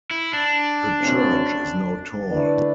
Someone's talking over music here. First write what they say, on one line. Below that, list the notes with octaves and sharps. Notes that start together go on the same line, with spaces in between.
The church is now tall.
E4
D4
F#1 F#2 F#3 C4
D3 A3 E4 B4 D5